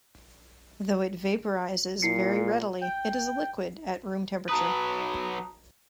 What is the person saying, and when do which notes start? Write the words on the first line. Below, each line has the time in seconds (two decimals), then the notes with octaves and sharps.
Though it vaporises very readily, it is a liquid at room temperature.
2.02 A#2 E4 C7 C#7
2.81 G5
4.49 F#3 B4 A5 A#5 D#6